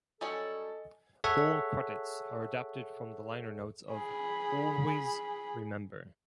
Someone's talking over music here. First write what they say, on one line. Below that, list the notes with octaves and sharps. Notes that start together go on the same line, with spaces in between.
All credits are adapted from the liner notes of "Always Remember".
F#3 G3 C#4 A4 D#5 G#5 C#7
G#4 A4 C#5 E5 F#5
G#4 B5